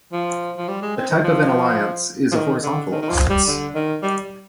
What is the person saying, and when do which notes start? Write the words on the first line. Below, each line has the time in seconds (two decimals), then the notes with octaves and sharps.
A type of an alliance is a horizontal alliance.
0.12 F3
0.57 F3
0.68 G3
0.82 G#3
0.97 C4
1.10 D#3
1.24 F3
2.32 F3
2.35 D#3
2.63 D3
2.91 D#3
3.02 D#3
3.10 F3
3.29 G3
3.48 D3
3.75 D#3
4.03 G3